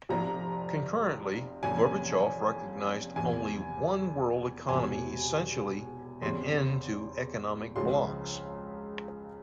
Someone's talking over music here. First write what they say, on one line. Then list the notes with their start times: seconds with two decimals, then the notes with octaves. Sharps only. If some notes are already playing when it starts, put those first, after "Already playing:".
Concurrently, Gorbachev recognized only one world economy-essentially an end to economic blocs.
0.09 F1 F2 C3 F3 A#5
1.63 F1 F2 E3 A#3 C#4 G#5
3.16 E2 C3 E3 G#5
4.69 E1 E2 C3 G#5
6.22 E2 C#3 G3 C4 C6
7.76 C#2 C#3 F3 C6